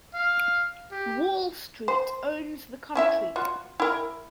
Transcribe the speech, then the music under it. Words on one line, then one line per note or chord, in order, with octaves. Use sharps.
Wall Street owns the country.
F5
G4
C5
C#4 E4 E5
F4 F#4
E4 A#4